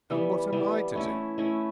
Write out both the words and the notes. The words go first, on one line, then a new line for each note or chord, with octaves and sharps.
'And what am I to do?'
E3 G3 B3
E3 G3 B3
A3 C#4 E4
A3 C#4 E4